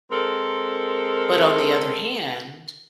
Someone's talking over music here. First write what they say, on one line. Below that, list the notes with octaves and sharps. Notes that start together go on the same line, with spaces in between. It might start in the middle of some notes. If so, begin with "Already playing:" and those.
But on the other hand,
G#3 C4 A4 A#4